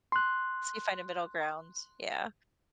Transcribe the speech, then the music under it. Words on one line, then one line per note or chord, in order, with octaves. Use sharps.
So you find a middle ground, yeah.
C6 F#6